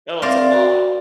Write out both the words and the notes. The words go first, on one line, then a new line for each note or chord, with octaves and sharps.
Oh, it's a lot.
C4 A#4 C5 D5 E5 F5
F#4